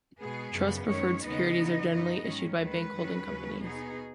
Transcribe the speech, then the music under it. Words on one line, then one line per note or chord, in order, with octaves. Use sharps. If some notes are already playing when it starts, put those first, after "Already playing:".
Trust-preferred securities are generally issued by bank holding companies.
B2 G#3 B3 G#4
F#2 C#3 B3
F#2 D#3 G#3 C#4 C#5
D#2 C#3 G#3 B3 D#4 D#5
C#3 B3 D#4
F#2 F#3 B3 D#4 D#5
G#2 D#3 F#3 C#4
D#2 D#3 G#3 B4
F#2 D#3 F#3 C#4
D#2 C#3 F#3 C#4
B2 B3 D#4 G#4